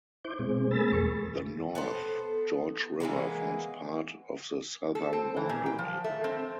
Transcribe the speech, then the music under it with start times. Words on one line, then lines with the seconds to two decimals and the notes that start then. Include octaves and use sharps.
The North George River forms part of the southern boundary.
0.25 E4 C5 D6 G6
0.39 B2 G#3 C4
0.71 A3 A#3 G#4 B5 E6 A6
0.92 E2 G#3 C#6
1.75 B3 A4 C5
3.00 E3 G#3 A#3 B3
4.95 A4
5.13 C4
5.37 E3
5.49 A#2
5.66 G5
5.79 F3
6.04 A3
6.24 C4